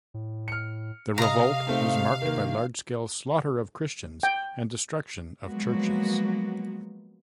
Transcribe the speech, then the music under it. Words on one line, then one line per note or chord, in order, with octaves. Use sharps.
The revolt was marked by large scale slaughter of Christians and destruction of churches.
A2
F6 C#7
C3 D#5 F5 A#5
A3 C4 D#4
D#3 A#3
G5
F3 F#3 G#3 A#3 B3 F#4